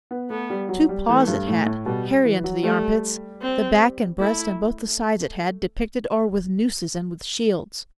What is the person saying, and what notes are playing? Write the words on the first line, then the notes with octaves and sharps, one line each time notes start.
Two paws it had, hairy unto the armpits; The back, and breast, and both the sides it had Depicted o'er with nooses and with shields.
B3
A3 B3
G3
F#3
G3
E3 A3
G2
A2 A3
A2
B2 G3
E3
F#3
G3 A3
C4
A3 E4